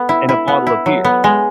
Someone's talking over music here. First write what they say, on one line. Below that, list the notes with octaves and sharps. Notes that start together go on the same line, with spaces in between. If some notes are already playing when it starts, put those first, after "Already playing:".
and a bottle of beer.
Already playing: B3
E4
E4
B3
E4
F#3
B3
G#3